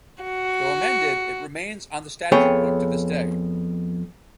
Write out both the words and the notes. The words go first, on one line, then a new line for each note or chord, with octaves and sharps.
Though amended, it remains on the statute book to this day.
F#4
F2 B3 G#4 C#5 G5